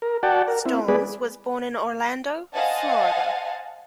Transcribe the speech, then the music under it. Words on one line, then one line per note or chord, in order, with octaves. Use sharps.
Storms was born in Orlando, Florida.
A#4
F#4 D5 F#5 G5 A5
A#4
C4 E4
G#3 B3 G#4 B4 D5
C5 D#5 F5 F#5 G#5 A5